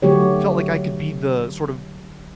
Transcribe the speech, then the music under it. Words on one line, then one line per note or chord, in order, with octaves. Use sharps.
felt like I could be the, sort of,
D3 F#3 A3 G4 C#5